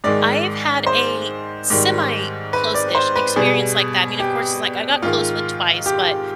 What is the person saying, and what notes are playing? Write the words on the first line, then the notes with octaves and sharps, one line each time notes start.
I've had a semi-close-ish experience like that- I mean, of course, it's, like, I got close with Twice, but
G#2 D#3 G#3 D5
C5
G#2 D#3 G3
B4
D5
C5
B4
B2 G3 G#4
G4
G#2 D#3 G#3 F4
G4